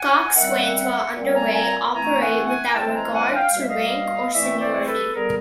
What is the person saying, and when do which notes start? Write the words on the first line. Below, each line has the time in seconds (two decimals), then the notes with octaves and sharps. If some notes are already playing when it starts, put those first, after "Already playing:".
Coxswains, while underway, operate without regard to rank or seniority.
Already playing: F#5 G#5
0.34 D#3 G3 C4 E5 F#5
1.14 A#2 G3 C4
1.34 G#5 A#5
1.54 G#5 A#5
1.94 E3 A3 C4 G#5 A#5
2.20 F#5 G#5
2.47 F#5 G#5
2.74 E3 G#3 C4 G5 A5
2.94 G#5 A#5
3.14 F#5 G#5
3.34 F5 G5
3.54 B2 G3 A#3 F5
3.62 E5
3.69 D#5 F5
4.33 E3 A3 C4 D5 E5
4.60 C5 D5
4.87 A4 B4
5.13 D3 G3 B3 G#4 A#4